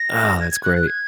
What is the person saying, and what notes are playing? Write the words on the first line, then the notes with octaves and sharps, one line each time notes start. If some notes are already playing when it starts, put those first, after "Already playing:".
Ah, that's great.
Already playing: A#6
G#6
G#6
F#6
F#6
G#6